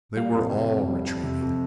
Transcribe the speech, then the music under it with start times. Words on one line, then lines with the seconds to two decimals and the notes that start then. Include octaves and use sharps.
They were all retreating.
0.16 G3 F5
0.34 F2
0.52 C3
0.70 F2
0.87 G3
1.05 F2
1.23 C3
1.41 F2